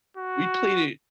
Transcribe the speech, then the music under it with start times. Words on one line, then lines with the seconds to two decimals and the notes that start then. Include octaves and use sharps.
We played it
0.17 F#4